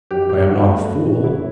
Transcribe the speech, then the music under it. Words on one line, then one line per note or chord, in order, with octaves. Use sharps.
I am not a fool.
F#2 G4
F#3 G4
G1 F#4
A3
F#2
F#3
G1 E4